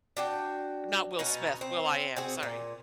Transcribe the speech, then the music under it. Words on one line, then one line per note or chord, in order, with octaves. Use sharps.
not Will Smith, will.I.am, sorry.
D4 F#4 G5
B2 C#4 D#4 F#4
C4
C4 F#4 G#4
A#2